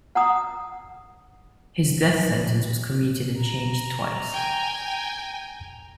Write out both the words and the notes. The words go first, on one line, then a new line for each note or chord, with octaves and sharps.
His death sentence was commuted and changed twice.
F#5 A#5 D#6
A#5
G5 G#5